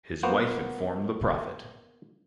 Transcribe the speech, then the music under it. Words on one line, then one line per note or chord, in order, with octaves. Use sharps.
His wife informed the prophet.
A#3 B3 F#4 C5